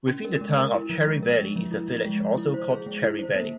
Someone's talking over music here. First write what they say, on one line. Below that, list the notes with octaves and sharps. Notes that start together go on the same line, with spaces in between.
Within the Town of Cherry Valley is a village, also called Cherry Valley.
C#4
A#4
G#3
A#4
E4
F3
G#3
A#4
G#3
F3
E4
F3
G#3
F3
E4
C5
G#4
G#3
E4
C5
A#3